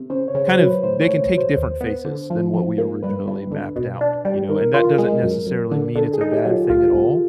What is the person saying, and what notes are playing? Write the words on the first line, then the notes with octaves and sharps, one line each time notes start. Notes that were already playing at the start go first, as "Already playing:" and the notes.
kind of they can take different faces than what we originally mapped out, you know? And that doesn't necessarily mean it's a bad thing at all.
Already playing: C3
C#3 C5
C#5
C#3
C5
F#3
B4
A2 C5
C#5
A2
F#3
C5
D#2
B3
D3
F3
F3
A#3
G2 B4
G2
D3
B2
D4
G3
D#3 A#4
F4
G#3
F#2
F#2
D3
D3 A4
G#4
D#4
G4
F#3
F4
C2 F4
C2